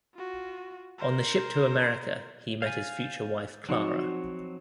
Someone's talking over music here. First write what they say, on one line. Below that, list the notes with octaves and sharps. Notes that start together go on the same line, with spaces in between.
On the ship to America, he met his future wife Clara.
F4 F#4
A#4 C5
F5 G#5 G6 A6
F3 F#3 C4 D#4 F#4 C#5